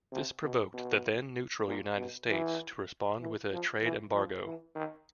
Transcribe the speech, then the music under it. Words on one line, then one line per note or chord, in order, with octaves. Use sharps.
This provoked the then neutral United States to respond with a trade embargo.
C3
B2
B2
A#2
B2
E3
E3
F3
E3
F3
E3
D#3